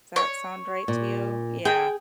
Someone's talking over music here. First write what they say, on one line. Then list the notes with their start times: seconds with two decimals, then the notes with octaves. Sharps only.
Does that sound right to you? Yeah.
0.16 C#5
0.88 A#2
1.65 G#4 G5